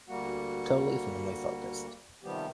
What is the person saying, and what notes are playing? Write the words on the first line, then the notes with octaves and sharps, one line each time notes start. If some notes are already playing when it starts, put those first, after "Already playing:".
Totally family focused.
D2 G3 A#3 F#4 F#5
C3 D#3 F3 G3 B3 G4